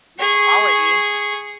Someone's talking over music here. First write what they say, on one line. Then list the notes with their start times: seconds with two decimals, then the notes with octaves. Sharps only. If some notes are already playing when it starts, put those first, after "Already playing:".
The quality,
0.20 G#4 C#6